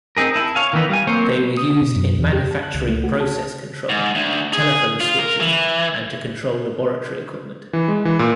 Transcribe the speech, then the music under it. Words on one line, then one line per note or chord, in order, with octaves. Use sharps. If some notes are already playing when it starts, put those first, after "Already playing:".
They were used in manufacturing process control, telephone switching and to control laboratory equipment.
C4 D#4 G#4 A#4
E4 A5
C#5 F5 G#5
D#3 E3 B3 D#4 B4
G3 F5 G#5
F#3 A#3 C4 C5 C#5
D#6
B2
F#2
E2
G4
A5
F#6
C#2
A3
F#4
A5
G#2
D2
G#4
F4
A#4
E3
E3
G#3
E3
A#2